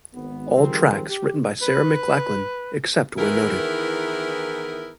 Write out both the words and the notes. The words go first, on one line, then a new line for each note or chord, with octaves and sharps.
All tracks written by Sarah McLachlan, except where noted.
G#1 B3
D#3 F3 G3 C4 G#4 A#4
G4
B4
D#3 E3 B3 E4 G#4 A#4